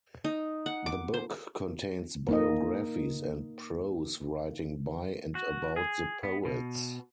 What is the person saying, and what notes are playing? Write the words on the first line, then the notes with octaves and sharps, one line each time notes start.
The book contains biographies and prose writing by and about the poets.
D#4
F#5
D6
C5
A#3 D#4 D#5
F#4
G#4
B3
B2